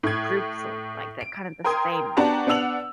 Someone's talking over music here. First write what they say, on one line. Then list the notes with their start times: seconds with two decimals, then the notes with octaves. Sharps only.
groups, like, that kind of the same
0.03 A2 G#6
1.21 D7
1.64 A#4 G5 C6 D#6 G#6
2.17 B3 D4 F#4 G4 A5 A#5
2.47 B3 D4 F#5 E6 F7 F#7